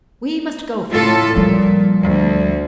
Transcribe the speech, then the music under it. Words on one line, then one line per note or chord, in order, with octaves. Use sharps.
We must go for them!
A2 F4 A4
A#2 F3 G3
D2